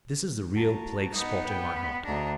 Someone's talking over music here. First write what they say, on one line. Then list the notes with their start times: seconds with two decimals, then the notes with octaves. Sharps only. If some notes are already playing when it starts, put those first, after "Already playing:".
This is the real plague-spot in my heart.
0.56 F#4 A5 A#5
1.13 B3 D#4
1.45 B4 G5
1.75 B4 B5
2.05 D2 G#2 D4 A#5